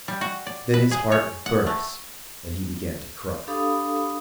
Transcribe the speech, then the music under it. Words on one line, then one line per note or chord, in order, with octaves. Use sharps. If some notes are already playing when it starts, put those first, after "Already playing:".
Then his heart burst, and he began to cry.
G3
F#4
D5
B4
G#4
C#5
F#5
A3
D4 G4 A4 F5 B5 D#6